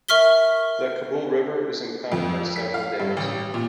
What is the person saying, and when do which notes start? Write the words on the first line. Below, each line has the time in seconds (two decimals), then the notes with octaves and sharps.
The Kabul River is impounded by several dams.
0.09 A#4 E5 C#6 F6 B6 G7
2.12 F2
2.56 B6
2.74 F5
3.00 G2
3.17 A1
3.54 A#2